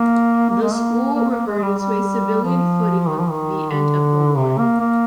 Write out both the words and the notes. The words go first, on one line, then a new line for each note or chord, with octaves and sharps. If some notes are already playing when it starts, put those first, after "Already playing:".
The school reverted to a civilian footing with the end of the war.
Already playing: A#3
A#3
G#3
A#3
A#3
A#3
G#3
G#3
G3
G3
F3
D#3
F3
D#3
D3
C3
A#3
A#3